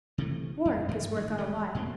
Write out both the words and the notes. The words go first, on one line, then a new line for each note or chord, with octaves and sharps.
Warwick is worth our while.
C3 E3 A3
F2
G2 A#2 F3
A2 D#3
E1 G#3 A3
E2 B2 A#3 C4